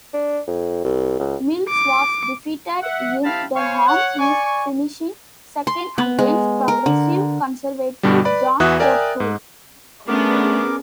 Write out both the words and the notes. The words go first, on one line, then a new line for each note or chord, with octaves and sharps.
Mills was defeated in Durham East, finishing second against Progressive Conservative John O'Toole.
D4
F2
C2
C#2
D6
E5 F#5
C4 E4 G4 F5 A5 B5
C5 C#5 F5 G#5 C#6
C#5 F#5
D5 G#5 C#6
C6
B3
G#3
A#4
D3
G2 B2 D3 G3
B4 D5 B5
E2 E3 F#4 E5 D#6 F#6
A#4 D5 E5 G5 G#5
G#2
A3 B3 C#4 D4 G#4 A#4 D6